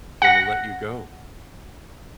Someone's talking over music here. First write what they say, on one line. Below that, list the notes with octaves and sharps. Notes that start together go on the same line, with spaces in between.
gonna let you go,
F#5 A#6